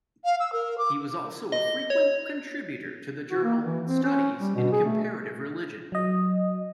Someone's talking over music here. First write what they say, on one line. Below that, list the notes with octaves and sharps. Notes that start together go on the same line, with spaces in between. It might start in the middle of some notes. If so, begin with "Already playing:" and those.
He was also a frequent contributor to the journal "Studies in Comparative Religion".
F5
E6
A#4
D6
D#5
C#5
F#4
A#3
E3
C4
C#4
G3
B2
G#4
A3
F#3 D#5